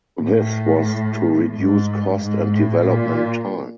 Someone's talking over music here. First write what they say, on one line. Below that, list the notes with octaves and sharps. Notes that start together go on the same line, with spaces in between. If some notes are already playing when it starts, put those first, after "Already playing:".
This was to reduce cost and development time.
A2
G#2
G#2
A2
A#2